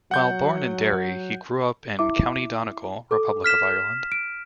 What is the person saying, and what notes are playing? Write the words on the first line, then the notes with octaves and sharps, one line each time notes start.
While born in Derry, he grew up in County Donegal, Republic of Ireland.
F#3 F#5 G6
E4 E5 D6
A4 D6
F6 B6 E7
D7